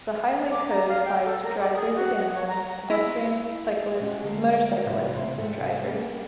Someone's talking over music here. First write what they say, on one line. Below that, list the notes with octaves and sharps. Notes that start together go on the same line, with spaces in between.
The Highway Code applies to drivers of animals, pedestrians, cyclists, motorcyclists and drivers.
D6
A#5
F5
G5
A4
A#4
D5
G#4
F#4
F#5
C#5
A#5
E4
G#3 C#4 F#4 G4
D3 G3 G#3 A#3 C#5 E5
G#2 C3 E3 C4 E4 F4
D2 C#3 F3 A3 C4 C5
G#2 C3 A4 C5 E5
G3 A#3 B3 C#4 G4